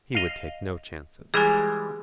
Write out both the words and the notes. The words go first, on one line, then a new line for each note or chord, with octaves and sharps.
He would take no chances.
D#5 F5
E3 G3 G#3 G#4 G#5